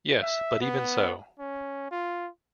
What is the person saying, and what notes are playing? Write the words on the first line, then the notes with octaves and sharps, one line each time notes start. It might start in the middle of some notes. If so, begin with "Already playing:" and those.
Yes, but even so.
E5
B3
C#4
F4